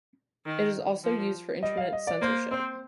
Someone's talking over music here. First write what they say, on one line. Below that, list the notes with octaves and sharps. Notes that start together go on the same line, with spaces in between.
It is also used for Internet censorship.
D#3
F3
G3 D#5
F5
D#5
D5
A#3 C5
C4 C5